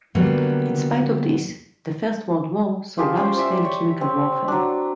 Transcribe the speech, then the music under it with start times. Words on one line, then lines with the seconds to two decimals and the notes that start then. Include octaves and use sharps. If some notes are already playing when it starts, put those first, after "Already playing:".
In spite of this, the First World War saw large-scale chemical warfare.
0.15 D3 F#3 G3 A#3 B3
2.98 F4 G4 G#4 A5
3.17 C#4 G4 C5
3.36 C5 D5 E5 E6
3.65 C#5
4.01 C4 C#5
4.48 F#3 D4